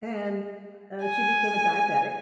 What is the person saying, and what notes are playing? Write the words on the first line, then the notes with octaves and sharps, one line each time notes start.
and, uh, she became a diabetic.
G#5